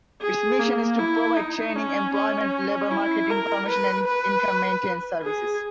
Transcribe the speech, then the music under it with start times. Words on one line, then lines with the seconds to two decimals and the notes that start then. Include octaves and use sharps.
Its mission is to provide training, employment, labor market information, and income maintenance services.
0.21 G#4
0.60 A#3
0.99 E4
1.36 D#4
1.76 C#4
2.14 C#4
2.91 E4
3.30 A#4
3.68 B4
4.07 B4
5.22 G#4